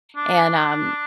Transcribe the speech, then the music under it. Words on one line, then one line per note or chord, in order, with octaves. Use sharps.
and, um,
D4